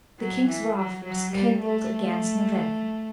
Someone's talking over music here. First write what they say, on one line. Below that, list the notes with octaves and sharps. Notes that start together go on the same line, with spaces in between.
The king's wrath was kindled against Noureddin.
F#3
E3
F#3
F#3
G3
A3